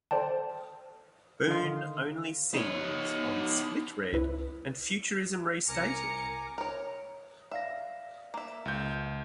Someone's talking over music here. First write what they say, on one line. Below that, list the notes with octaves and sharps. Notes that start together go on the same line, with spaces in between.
Boon only sings on "Split Red" and "Futurism Restated".
A4 C5 D5 G5 A5
D3 D#3 D#5 F5 C6
D#4 C#5
C#2 E4 B4
C2 A#4 G#5 A#5 D6 C#7
A#4 C#5
D5 E5 F5 A#6
A#3 E5
C#2 G6